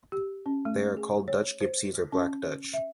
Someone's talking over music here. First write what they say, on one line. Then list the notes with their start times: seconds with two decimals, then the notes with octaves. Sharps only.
They are called Dutch Gypsies or Black Dutch.
0.12 G4
0.46 C#4
0.65 A3
0.97 G#4
1.28 C#5
1.61 C5
2.12 C#4
2.73 E5